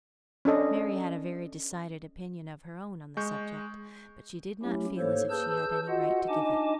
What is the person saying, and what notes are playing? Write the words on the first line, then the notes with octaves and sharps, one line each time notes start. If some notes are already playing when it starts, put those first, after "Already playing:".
Mary had a very decided opinion of her own on the subject, but she did not feel as if she had any right to give it.
C#4 D4 A4 D#5
G#3 C#6 G6
F#3 A3 C#4 E4 G4
G#2 A#3 A4 C5 C#5
G#4 B4 A5 E6 G6
F4 F#4 D#5 F#5
D4 D#4 D#5 G#5 A5 D6